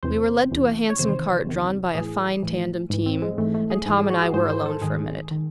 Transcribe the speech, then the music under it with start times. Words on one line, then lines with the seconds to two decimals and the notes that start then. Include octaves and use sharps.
We were led to a handsome cart drawn by a fine tandem team, and Tom and I were alone for a minute.
0.03 E2 C3 E3 C5
0.51 E2 C3 E3
0.90 C#5
0.99 E2 C3 D#3 C5
1.47 E2 C3 D#3
1.94 A2 E3 G#4
2.43 A2 E3
2.90 G#2 E3
3.06 C4
3.22 G#3
3.37 G#2 E3 A3
3.54 A3
3.70 G#4
3.86 G#2 G#4
3.89 E3
3.98 G#4
4.10 F#4
4.22 G#4
4.34 G#2 E3 C5
4.50 C5
4.66 A4
4.82 G#2 D#3 G#4
5.31 D#3